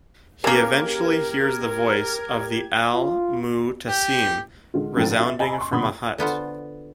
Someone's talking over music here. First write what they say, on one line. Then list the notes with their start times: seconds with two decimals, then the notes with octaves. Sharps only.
He eventually hears the voice of the Al-Mu'tasim resounding from a hut.
0.44 C#3 A#3 G4 A#4 G#6
2.94 F4
3.88 G4
4.74 D3 G#3 F4
4.97 G#2 C3 F3 A4 G5 A6
5.16 F4 E5
5.39 D#5 G#5 A#5 B5 E6
5.58 C6 C#6
5.72 G1 G2 B2 F#5 B5 D#6
6.18 D3 B3 F4 C5